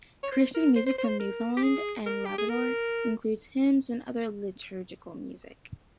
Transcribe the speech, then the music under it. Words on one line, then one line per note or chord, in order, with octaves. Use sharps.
Christian music from Newfoundland and Labrador includes hymns and other liturgical music.
C#5
C5
A#4
C5
C5
C5
C#5
C5
A#4
G4
G#4
A#4
G4
G#4
A#4